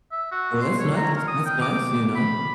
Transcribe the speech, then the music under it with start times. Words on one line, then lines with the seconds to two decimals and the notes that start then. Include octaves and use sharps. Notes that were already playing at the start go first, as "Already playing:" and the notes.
Well, that's nice that's nice, you know,
0.12 E5
0.32 F#4
0.62 C6
0.79 C#5
0.96 A#5
1.16 A#4
1.28 D#6
1.46 G5
1.61 D6
2.16 B5